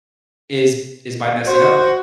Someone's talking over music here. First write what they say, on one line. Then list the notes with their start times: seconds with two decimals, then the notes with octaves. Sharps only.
is, is by messing up,
1.47 F#4 C5